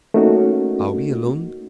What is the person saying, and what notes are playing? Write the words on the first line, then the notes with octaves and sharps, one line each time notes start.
"Are we alone?"
A3 A#3 C#4 D#4 F#4